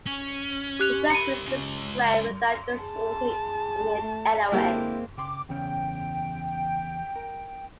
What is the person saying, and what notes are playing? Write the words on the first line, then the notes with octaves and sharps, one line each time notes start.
He transmits this prayer without distorting it in any way.
C#4
G4 F#6 F7
C4 B5 C#7 D#7
G#3 C#4
G#4 A5
A3
D3 G#3 A#3 C4 E4 G4
C#3 G5 C6 D6
E2 C#3 C#4 G5
A#4